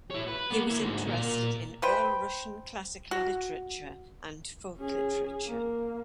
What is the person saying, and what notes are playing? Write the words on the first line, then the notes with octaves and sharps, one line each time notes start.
He was interested in all Russian classical literature and folk literature.
E4 C#5
B4
A#3 B3
A#3 E4
D2 G#2
A#2 A#4
B4 C5 G5
F#4
C#4 G#4
A#3